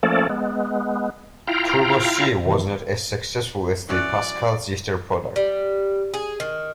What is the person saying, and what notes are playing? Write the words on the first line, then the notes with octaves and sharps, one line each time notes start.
Turbo C was not as successful as the Pascal-sister product.
F3 A3 A#3 C#4 A4 D5
G#3 B3
E4 F4 F5 G5 A#5
B2 D#3 E3
E3 F#3 C#4 D5
G3
G#4
D#3